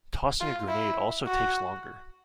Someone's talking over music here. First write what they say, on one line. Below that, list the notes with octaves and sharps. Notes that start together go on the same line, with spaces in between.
Tossing a grenade also takes longer.
F4
E4
F#4